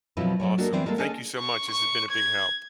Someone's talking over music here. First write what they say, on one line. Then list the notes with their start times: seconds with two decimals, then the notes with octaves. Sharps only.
Awesome. Thank you so much, this has been a big help.
0.17 B2 F3 F#3 C4 E4 B4
0.40 F#3 A3 C#5
0.58 G#3 A#3 D4 F#4 A4
0.73 E3 G3 B3 C4 D4 E4
0.86 G3 G#3 A#3 A4
0.98 C#4 D4 G#4 A4 D#5 G#5
1.38 C#6
1.71 C#6
2.11 G#6